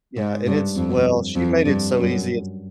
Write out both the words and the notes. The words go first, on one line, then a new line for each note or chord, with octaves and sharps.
Yeah, and it's well, she made it so easy it's
G#2
G2
F2
F2
G2
F#2